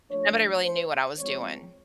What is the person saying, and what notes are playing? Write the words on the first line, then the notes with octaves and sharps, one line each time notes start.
Nobody really knew what I was doing.
F3 A3 D4 C#5
C5
F3 G#3 C4 C#5